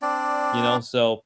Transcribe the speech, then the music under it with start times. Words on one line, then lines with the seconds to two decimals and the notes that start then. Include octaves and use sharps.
you know. So,
0.02 C4 D4 D5